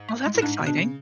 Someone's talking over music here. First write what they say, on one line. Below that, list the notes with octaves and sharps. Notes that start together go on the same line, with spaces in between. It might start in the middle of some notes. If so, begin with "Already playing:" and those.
Oh, that's exciting.
Already playing: G#2
A3
G#3
A2
G#2 D4
B2
D4
C#3